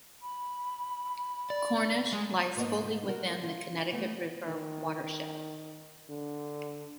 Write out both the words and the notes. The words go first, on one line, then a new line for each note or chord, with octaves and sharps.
Cornish lies fully within the Connecticut River watershed.
B5
D5
G#3 G#4
G#2 A#3 B3 D#5
F#4 A#4
F4
A3 B3
D#3
D3